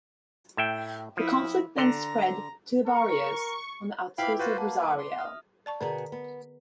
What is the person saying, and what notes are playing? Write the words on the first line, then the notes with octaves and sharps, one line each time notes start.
The conflict then spread to the "barrios" on the outskirts of Rosario.
A2 E5 G5
F3 E4
D3 A#5
A#4 C#6
E4 F4 B4 F5 G5 B5 D6
F4 F#4 B4 C5 F#5
A#3 A5
D6
C6
E5 D#6 F6
D5 A5 C#6
B2 D3 B3 G#4 D5 A#5
B3